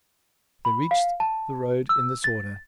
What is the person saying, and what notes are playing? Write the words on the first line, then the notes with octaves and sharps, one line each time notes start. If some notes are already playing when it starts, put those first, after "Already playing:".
They reached the road in this order.
B5
F5
A5
E6
A6